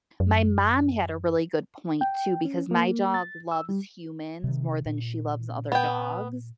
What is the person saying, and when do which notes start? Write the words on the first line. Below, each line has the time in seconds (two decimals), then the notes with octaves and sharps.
My mom had a really good point too because my dog loves humans more than she loves other dogs,
0.20 F#2
2.01 G5
2.45 C#4
2.71 A#3
3.14 A6
3.51 E6
3.69 G3
4.44 C3 D#3
4.86 A#2
5.72 B3 G5